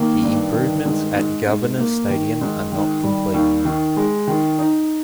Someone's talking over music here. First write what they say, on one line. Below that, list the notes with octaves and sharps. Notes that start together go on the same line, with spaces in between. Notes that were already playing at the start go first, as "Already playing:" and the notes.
The improvements at Governors Stadium are not complete.
Already playing: D#3 A#3
G2
D#3
G#2
G#2
G#2
A#3
D#3
G#2
D#3
G3
D#2
D#3
G#3
D#3
D#4